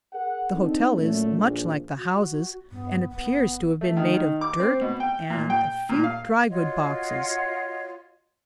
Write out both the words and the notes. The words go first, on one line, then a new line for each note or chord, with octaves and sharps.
The hotel is much like the houses, and appears to have been made of dirt, and a few drygoods boxes.
G#4 A#4 F#5
C4 D4 D#4 A4
F#2 A#2 A3
A#1
F#4
G2 B3
G1 B3
A3
D#3
D#3
D6
C4
B2
G5
A#2
G5
A#2
F5
F4 F#4 C#5 D#5